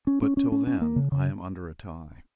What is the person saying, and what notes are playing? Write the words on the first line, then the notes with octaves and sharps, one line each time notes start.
But, till then, I am under a tie.
C#4
C#4
C#4
C#4
C#4
A#3
C#3
C#3